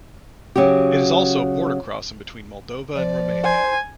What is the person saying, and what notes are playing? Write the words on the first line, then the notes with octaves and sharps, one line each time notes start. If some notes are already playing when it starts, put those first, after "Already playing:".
It is also a border crossing between Moldova and Romania.
C#3 F#3 F#4 G4
F3 D5
C5 G#5